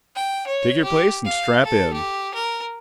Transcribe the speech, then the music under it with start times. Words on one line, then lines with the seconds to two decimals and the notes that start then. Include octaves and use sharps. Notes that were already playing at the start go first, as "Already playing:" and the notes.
"Take your place and strap in."
0.16 G5
0.47 C#5
0.84 G4
1.25 F5
1.64 A4
1.93 G4
2.34 A#4